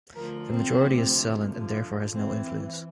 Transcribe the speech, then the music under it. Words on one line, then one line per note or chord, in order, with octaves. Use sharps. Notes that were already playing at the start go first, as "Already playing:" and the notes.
The majority is silent and therefore has no influence.
D2 D3 F3 A#4
C4
D2 C3 F3
G2 D3 F3
E2 E3 C4